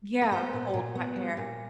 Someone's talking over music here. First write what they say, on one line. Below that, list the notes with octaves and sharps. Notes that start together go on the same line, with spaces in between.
Yeah, cold, wet hair.
B4
B3 C5
A#2
A#2
B3
G3
A#2